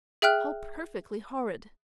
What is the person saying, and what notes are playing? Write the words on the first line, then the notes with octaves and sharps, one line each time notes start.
How perfectly horrid!
G#4 E5 G5 F6 F#6